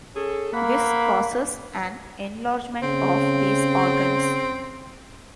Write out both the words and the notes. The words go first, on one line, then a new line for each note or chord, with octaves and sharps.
This causes an enlargement of these organs.
C#4 G#4 A4
A#3 E5 F#5 B5
C#3 C4